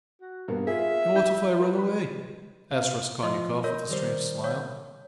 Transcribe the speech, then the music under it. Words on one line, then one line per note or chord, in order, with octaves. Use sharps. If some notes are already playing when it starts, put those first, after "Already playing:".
"And what if I run away?" asked Raskolnikov with a strange smile.
F#4
G2 A#3 B3
F4 G#4 E5
E4 G6
B4
B5
B2 F5
F3 D#5 C6
A#4 C#5 D#5
D#3 G3 C5
C#5